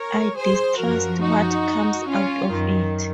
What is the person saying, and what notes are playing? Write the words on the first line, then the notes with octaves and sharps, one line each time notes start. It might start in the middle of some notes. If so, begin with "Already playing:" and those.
I distrust what comes out of it.
Already playing: A#4 C#5
G#4 C5
F#2 F3 F#4 A#4
D#4 F#4
C#4 F4
F#2 D#3